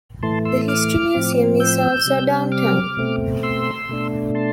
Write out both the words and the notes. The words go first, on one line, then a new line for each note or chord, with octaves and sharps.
The history museum is also downtown.
A2 E3 A3 A5 C6
C6 E6
D6 F6
A2 F3 C4
E6 G6
C3 G3 C4
D6 F6
B2 A3 C4
C6 E6
B2 A3 D4
A5 C6